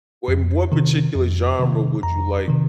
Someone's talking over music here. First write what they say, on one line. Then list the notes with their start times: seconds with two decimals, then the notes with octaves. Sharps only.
in what particular genre would you like
0.28 F2
0.72 C3 D#3
1.15 F2
1.59 C3 D#3
2.03 F2 A#5
2.48 C3 D#3